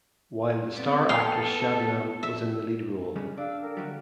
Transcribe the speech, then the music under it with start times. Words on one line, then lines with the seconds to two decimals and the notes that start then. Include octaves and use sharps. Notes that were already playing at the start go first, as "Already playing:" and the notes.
While the star actress Shabnam was in the lead role.
0.75 B3 C4 D5
1.09 B2 B3 A4 F5 G5
2.23 E5
3.16 C#3 G3 G#3
3.37 D4 F5 E6 F#6
3.62 A4 A#4 G5
3.77 D2 F#3 G3